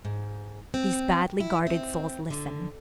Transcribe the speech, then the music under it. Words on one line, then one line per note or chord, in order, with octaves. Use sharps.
These badly guarded souls listen.
G#2
C4
E4
C4
D3